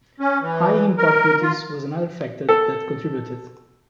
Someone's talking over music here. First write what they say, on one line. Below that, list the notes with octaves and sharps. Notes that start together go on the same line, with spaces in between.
High import duties was another factor that contributed.
C#4
E3
A#4
F4
A4